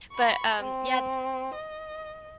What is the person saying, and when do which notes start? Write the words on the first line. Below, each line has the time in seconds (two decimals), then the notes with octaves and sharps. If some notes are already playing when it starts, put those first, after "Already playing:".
But, um, yeah, th
0.13 B5 C#6
0.59 C4
1.55 D#5